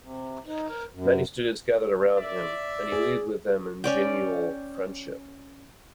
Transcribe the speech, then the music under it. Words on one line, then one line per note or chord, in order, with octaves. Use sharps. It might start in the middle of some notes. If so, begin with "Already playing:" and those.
Many students gathered around him, and he lived with them in genial friendship.
C3
D#4
A#4
F#2
D5 E5
G#4
C#4 D5 G5